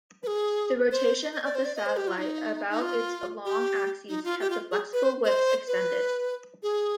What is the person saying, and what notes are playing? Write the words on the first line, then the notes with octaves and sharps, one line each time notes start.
The rotation of the satellite about its long axis kept the flexible whips extended.
B4
G#4
C5
D#5
D#5
D5
C5
D5
D#5
C5
G4
F4
D#4
D#4
F4
G4
D#4
F4
G4
F4
G#4
B4
C5
C5
B4
G#4